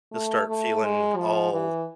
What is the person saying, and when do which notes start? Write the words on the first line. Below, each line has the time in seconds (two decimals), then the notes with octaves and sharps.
You'll start feeling all
0.12 A3
0.48 A3
0.83 G#3
1.17 F3
1.53 E3